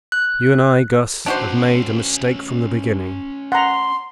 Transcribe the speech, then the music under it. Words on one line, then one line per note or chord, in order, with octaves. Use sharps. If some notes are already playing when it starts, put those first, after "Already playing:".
You and I, Guss, have made a mistake from the beginning.
F#6
C#4 D4 F#4 B4 C5
F#5 A#5 C6